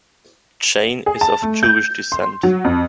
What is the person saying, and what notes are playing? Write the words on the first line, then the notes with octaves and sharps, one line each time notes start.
Jayne is of Jewish descent.
G#4
A5
A3
G6
C6
F#3
F2